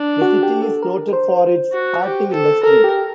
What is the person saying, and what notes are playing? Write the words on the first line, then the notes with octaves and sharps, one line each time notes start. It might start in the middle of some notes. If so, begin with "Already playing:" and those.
The city is noted for its hatting industry.
Already playing: D4
F#4
G4
A4
A#4
C5
F#4
G4
A4
A4 A#4
G4